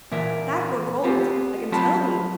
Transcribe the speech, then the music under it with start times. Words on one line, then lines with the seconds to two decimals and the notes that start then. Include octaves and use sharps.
That were cold, a can tell the'!
0.12 A#2 E3 A#4 E5
1.04 B3 C4 F4 G4
1.72 F#3 C4 F4 A5 B5